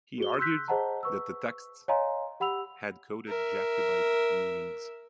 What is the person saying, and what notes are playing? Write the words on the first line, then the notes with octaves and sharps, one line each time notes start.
He argued that the texts had coded Jacobite meanings.
F#4 G#4 G7
C6 E6 F#6 G6 B6
G#4 C5 D#5 F#5 A5 A#5
B4 C#6 E6
C#5 D#5 F5 G#5 A#5 C6
G4 F#5 B5 E6 F7
A#4 E5